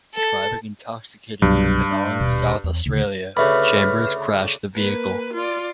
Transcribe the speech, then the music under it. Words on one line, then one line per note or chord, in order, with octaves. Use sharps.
Driving intoxicated near Penong, South Australia, Chambers crashed the vehicle.
A4
C2 G2 B2 F#3
D4
D#1 B2
E2
D2 C#3
D2 C#3 B4 E5 B5 F6
A#3 B4
F4 D5